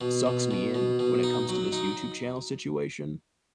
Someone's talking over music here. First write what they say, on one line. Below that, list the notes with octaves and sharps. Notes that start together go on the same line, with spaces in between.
sucks me in when it comes to this YouTube channel situation,
B2
B2
B2
B2
B2
D#4
F#3
D#4